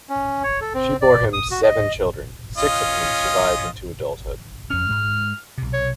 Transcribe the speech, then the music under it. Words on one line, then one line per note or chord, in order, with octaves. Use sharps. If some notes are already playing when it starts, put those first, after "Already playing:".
She bore him seven children, six of whom survived into adulthood.
C#4
C#5
A4
C4
D5
D#6
F#4
D#5
C#4 F4 D#5
F2 C#4 F6
G#2 G#3
B1 C3
C#5